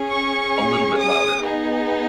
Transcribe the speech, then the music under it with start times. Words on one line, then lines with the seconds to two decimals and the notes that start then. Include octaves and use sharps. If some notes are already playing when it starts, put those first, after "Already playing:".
A little bit louder.
Already playing: C#4 G#4
0.11 C#6
1.00 D#6
1.43 B3 D#4 G#4